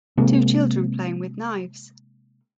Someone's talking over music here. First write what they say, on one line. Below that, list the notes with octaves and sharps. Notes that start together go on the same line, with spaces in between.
Two children playing with knives.
C3 G#3 A#3 C4